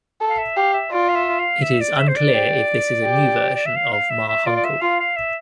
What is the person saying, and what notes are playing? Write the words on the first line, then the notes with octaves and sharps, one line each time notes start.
It is unclear if this is a new version of Ma Hunkel.
A4
F5
E5
G4 F5
E5
F4 D5
F5
E5
F5
E5
D5
E5
C5
D5
G4
G4
D5
E5
F5
F5
E5
E5
F4 D5
D5
E5
F4 F5
F5
E5